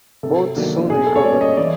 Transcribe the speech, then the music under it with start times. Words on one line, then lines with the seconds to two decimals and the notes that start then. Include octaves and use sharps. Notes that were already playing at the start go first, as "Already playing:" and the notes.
Both soon recovered.
0.23 C3 A4
0.56 D#3 F#3 A#3 D4
0.90 B2 G#4
1.06 A4
1.16 C#5
1.23 G3 A#3 C#4 D5
1.41 D#5
1.57 E3 D5